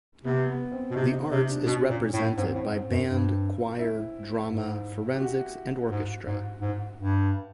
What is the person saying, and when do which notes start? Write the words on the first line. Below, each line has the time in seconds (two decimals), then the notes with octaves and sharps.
The arts is represented by Band, Choir, Drama, Forensics and Orchestra.
0.25 C3 B3
0.48 B3
0.72 C4
0.91 B2
0.95 C3 D#4
1.13 D#4
1.31 C3 D#4
1.49 D4
1.66 B2 C#4
1.90 A#2
2.13 A2
2.37 G#2 C4
2.55 A2
2.72 G#2
2.90 F#2
3.08 G2
3.79 E4
4.49 G#2
5.12 G4
5.20 F#4
5.91 G#2
6.26 G#2
6.61 G#2
6.98 G2